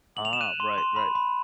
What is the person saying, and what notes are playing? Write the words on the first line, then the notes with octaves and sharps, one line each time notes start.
Uh-huh. Right, right.
F#7
F7
E7
F#6 D#7
C6
C6
B5
B5